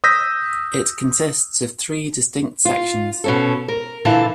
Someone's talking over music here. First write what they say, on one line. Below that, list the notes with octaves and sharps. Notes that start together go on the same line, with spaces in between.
It consists of three distinct sections.
D#6 E6 G6 A#6 B6
F4
B2 C#4 A4
A#4
A#2 D3 E3 E4 F4 A5